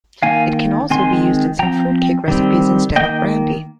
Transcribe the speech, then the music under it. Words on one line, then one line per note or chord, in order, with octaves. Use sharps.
It can also be used in some fruitcake recipes instead of brandy.
D#3 A#3 F5 G#5
D#3 G#3 C4 G#5 C6
F3 C4 G5 A#5
D#3 G3 C4
D#3 G3 A#3 D#5 G5